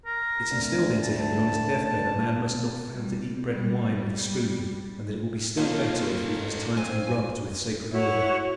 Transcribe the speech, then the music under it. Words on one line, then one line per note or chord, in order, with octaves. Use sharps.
It is instilled into him that on his death-bed a man must not fail to eat bread and wine with a spoon, and that it will be still better if he has time to be rubbed with sacred oil.
A#4
D2
A5
G3
G3
A#3 C#4 D#4 F4 A4
C#3 C4 G#5
E4 F#4 C#5